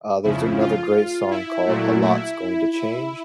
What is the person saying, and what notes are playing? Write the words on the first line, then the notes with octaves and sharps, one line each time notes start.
Uh, there's another great song called A Lot's Going to Change
F2 C#3 F3 E4
F4
E4
A#2 F#3 A3
E4
E4